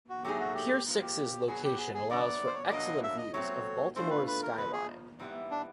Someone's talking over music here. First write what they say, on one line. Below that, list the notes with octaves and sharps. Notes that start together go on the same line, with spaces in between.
Pier Six's location allows for excellent views of Baltimore's skyline.
F#4
F#3 A3 C4 D#4 G4 G#4
F#4
G4
G#2 F3 A#3
G4
B2 F#3 B3 G#4
G4
G#4
G#4
E2 C#3 F#3 B3 D4 D5
C5
C#5
D5
E2 B2 F#3 A#3 D4 D#5
E5
D#5
F#3 A3 C4 C#5
E3 A3 D4 F4 C5
B4
B4
A#4
E2 C#3 F3 B4
G#4
G#2 E3 G3 B3 E4
D4